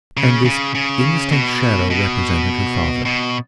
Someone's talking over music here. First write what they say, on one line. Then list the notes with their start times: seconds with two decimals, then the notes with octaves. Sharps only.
And this indistinct shadow represented her father.
0.17 C#3
0.45 C#3
0.75 C#3
1.32 B2
1.90 B2
3.05 B2